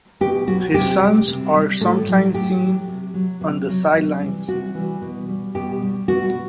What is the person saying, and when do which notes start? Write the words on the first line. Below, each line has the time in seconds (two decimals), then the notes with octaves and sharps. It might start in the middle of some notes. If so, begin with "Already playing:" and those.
His sons are sometimes seen on the sidelines.
0.21 B2 G4
0.47 F#3 F#4
0.74 C3 G4
1.01 G3
1.28 C3
1.54 G3
1.81 A2 A4
2.08 F#3
2.34 A2 G4
2.61 F#3
2.88 C3
3.14 F#3
3.41 C3
3.68 F#3
3.95 C3
4.22 E3 G3
4.48 C3 F#4
4.75 E3 G3
5.02 B2
5.28 G3
5.55 B2 G4
5.82 G3
6.08 B2 F#4